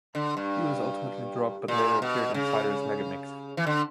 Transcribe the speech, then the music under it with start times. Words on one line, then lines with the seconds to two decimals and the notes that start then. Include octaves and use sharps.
He was ultimately dropped, but later appeared in "Fighters Megamix".
0.15 D3
0.37 G2
1.68 A#2
2.02 B2
2.34 C#3
3.57 E3
3.67 D3